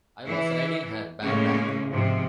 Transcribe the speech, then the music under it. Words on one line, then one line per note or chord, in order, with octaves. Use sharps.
I was riding her bareback...
E3 E4
A2 C#3 G#3 A#3 C#4
G#2 C3 F3